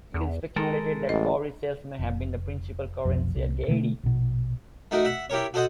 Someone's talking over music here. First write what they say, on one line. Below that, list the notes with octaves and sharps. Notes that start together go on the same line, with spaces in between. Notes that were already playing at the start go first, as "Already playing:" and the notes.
It is speculated that cowrie shells may have been the principal currency at Gedi.
E2
D#3 G#3 A4 A#4
A1 D#5
F1
F1 B1 F2
C2
B2 D3 F#3 A3
A#1 B2
A3 D#4 F#4 A#4
E5 F#5
E4 G4 A#4 C#5
F#4 A4 C5 D#5 F#5